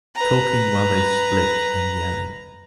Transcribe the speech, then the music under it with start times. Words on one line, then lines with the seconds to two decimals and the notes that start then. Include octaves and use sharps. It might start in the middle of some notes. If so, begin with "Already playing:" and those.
Talking while they split and yelling.
0.16 B4 A#5